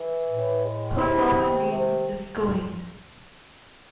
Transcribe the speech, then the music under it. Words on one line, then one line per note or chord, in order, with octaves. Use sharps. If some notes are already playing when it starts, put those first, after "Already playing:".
Her former name is Going.
Already playing: E3
A2
G#3
C3 E4
D#3
C3